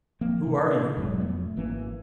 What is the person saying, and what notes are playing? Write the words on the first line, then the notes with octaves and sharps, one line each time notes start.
"Who are you?"
F3 A#3 C4
C3 E3
E1 G#2 F#3 C#4
F2 A3 B3
G#1 E3 A#3 C#4